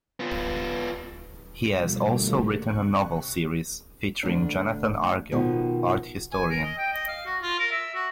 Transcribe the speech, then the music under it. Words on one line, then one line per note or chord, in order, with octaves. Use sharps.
He has also written a novel series featuring Jonathan Argyll, art historian.
B3 F4
B2 D3 F3 G3 A3 A#3
C3 C#6 F#6
D2 D4
B2 D#3 F3
G#5
A#4
D#5
G5
D#5
F5
F#4
F4
A#4
E5
F#4